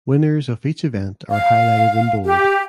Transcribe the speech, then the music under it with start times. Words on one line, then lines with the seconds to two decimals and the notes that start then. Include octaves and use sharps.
Winners of each event are highlighted in bold.
1.30 F5
2.26 G4